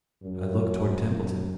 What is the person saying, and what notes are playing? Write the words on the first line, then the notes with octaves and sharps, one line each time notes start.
I looked toward Templeton.
F#2